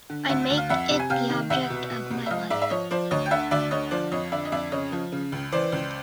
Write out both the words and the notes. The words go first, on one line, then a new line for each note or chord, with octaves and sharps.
I make it the object of my life.
D3
D2 E5 F#5
D2
F5
F2 E5 F#5
C3
G#5
C3 F5 G5
D#3
C2 E5 F#5
B2
B2
C2
E5
F3 D#5 F5
G#2 D5 E5
E5
F3 C#5 D#5
F3 C5 D5
D2 C#5 D#5
G5
D3 E5 F#5
D2 D5 E5
D3 C#5 D#5
F3 C5 D5
F2 C#5 D#5
D3 D5 E5
D#5
F2 D5 E5
C#3 C#5 D#5
F3
C#3
C#2
E3 C5 D5
C#2